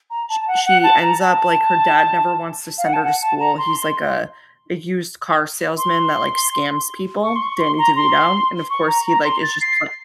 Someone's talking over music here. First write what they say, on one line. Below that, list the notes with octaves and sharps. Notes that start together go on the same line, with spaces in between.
sh she ends up like, her dad never wants to send her to school, he's like a a used-car salesman that, like, scams people Danny DeVito, and of course he, like, it's just pl
A#5
A5
A5
F#5
F#5
A5
A#5
A5
F5
F#5
A5
F#5
A5
A#5
C6
C6
C6
C#6
C6
C#6
C6
A#5
C6
C#6
A#5
A#5
C6
A6
C7